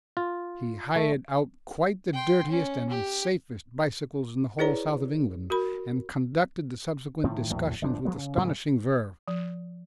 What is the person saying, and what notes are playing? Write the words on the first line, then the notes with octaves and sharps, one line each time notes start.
He hired out quite the dirtiest and unsafest bicycles in the whole south of England, and conducted the subsequent discussions with astonishing verve.
F4
A3
G5 C6
C#4
G4
E4 G#4 B4 C#5 D5 A#5
F#4 A#4 B5
A2 D#3 F3
A#1 E2 A2 F#3
G1 F2 F3 D4
F3 F#3 G#3 B3
C#3
G#2 C#3 G3 A#3
F3